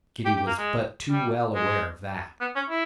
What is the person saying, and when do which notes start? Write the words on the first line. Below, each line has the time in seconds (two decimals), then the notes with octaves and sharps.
Kitty was but too well aware of that.
0.25 G4
0.36 G4
0.47 A#3
0.57 G#3
1.11 G3
1.55 G#3
2.41 B3
2.55 C#4
2.70 E4